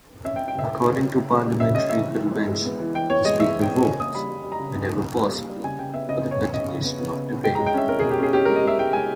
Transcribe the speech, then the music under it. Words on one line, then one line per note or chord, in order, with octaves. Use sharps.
According to parliamentary convention, the Speaker votes, whenever possible, for the continuation of debate.
C#4 E5
G5
C#4
G5
C#3 E5
C#3
C#3
C#3
C#3
C#3
G3
C#3 E5
C#4 D#5
C#3 E5
E3
E3
G#3
G#3
B3
E3
E3 G5
B3 C#5
G#3 D#5
E3 E5
E3
G5
B3
C#3 G#5
A#3 D#6
G3 B5
G3
G3
A#5
C#3
C#3
A#3
C#3
G3
A#3
G3
C#3 G#5
C#3 G5
B3 E5
C#3 D#5
B3
C#5
C#3
C#3 D#5
C#3
B3
B3
C#3
B3
G#3 G5
G#3 A#5
G5
C#4 E5
C#4 A#4
B2 G#4
G4
C#4 G#4
C#4 G4
G#3 A#4
D#5
G#3 E5
G#3 G5
G#3 G#5